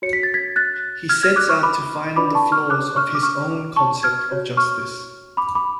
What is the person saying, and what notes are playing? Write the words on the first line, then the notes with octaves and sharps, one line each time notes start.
He sets out to find the flaws of his own concept of justice.
F#4 C#5 C#7
B6
A6
G#6 B6
F#6 A6
F6 G#6
F6 G#6
D6 F#6
C#6 F6
B5 D6
D4 F4 B4 D5 B5 D6
A5 C#6
C#6 F6
D6 F#6
C#6 F6
D6
C#6 F6
A5 C#6
F6 G#6
F#4 C#5
C#6 F6
B5 D6
B5 D6